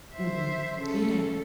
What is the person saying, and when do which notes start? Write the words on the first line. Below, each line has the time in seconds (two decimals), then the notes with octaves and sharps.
Mhm, yeah.
0.15 C5 E5
0.79 C#3 A4